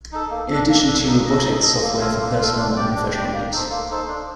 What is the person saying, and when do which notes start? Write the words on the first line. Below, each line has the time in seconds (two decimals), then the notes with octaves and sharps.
In addition to robotics software for personal and professional use.
0.12 D#4 A4
0.31 A#3
0.50 D4 A4
0.69 A#3
0.87 D4 A4
1.07 D#4
1.25 A4 D#5
1.43 D#4
1.63 A4 D#5
1.82 A#3
2.00 F4 A4
2.20 A#3
2.39 F4 A4
2.57 D4
2.76 G4 D5
2.95 D4
3.14 G4 D5
3.33 A#3
3.51 D#4 A4 C5
3.71 A#3
3.90 D#4 A4 C5
4.08 D4